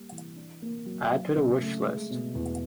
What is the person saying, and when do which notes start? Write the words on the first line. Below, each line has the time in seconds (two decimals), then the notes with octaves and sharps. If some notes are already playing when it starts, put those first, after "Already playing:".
Add to the wish list.
Already playing: G3 A#3
0.12 E3
0.36 D4
0.62 A#3
0.86 F#3
1.11 F#3
1.36 C#3
1.61 A3
1.86 G#3
2.10 B2
2.35 E2